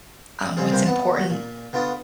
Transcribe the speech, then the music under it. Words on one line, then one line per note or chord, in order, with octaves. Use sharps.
um, what's important
C#3 G3 C4 C#4 G#4
C3 G3 A#3 C5 G#5
B3 F#5 A5
D#2 F#4
A#2
D3 B3 F4 D5 D#6